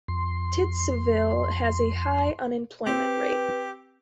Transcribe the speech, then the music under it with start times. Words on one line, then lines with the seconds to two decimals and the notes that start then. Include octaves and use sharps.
Titusville has a high unemployment rate.
0.08 F2 C6
2.87 C4 G4 B4